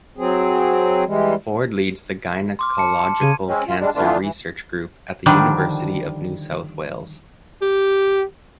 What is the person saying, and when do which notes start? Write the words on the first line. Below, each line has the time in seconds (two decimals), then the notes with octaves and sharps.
Ford leads the Gynaecological Cancer Research Group at the University of New South Wales.
0.18 F#3 C4 G#4
1.06 E3 G3 G#3
2.59 C6 D6 F6
2.78 A5 C#7
3.22 C#3 G#6 D#7
3.48 G#3 C4 C#4
3.66 F4
3.80 G3 G#3 D4
3.95 D3 E3 A3 B3 D4 F4
4.21 E3
5.26 D3 D#3 F3 G3 D4
7.62 G4